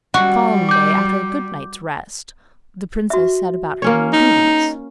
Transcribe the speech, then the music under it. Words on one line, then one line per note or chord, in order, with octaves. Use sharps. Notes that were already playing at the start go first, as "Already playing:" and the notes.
The following day, after a good night's rest, the princess set about her new duties.
G3 F#4
D6 G6
F#4 E5
A#3 C#4 C#5
D#4